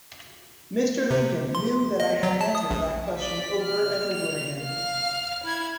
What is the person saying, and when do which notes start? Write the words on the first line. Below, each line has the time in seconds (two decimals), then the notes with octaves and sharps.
Mr Lincoln knew that I had answered that question over and over again.
1.11 C3
1.55 C6
2.00 D#5
2.23 F#3
2.41 A5
2.55 D#6
2.71 A#1
3.18 D5 B6
3.62 F6
4.14 F7
4.61 F5 F6
5.44 E4 G#6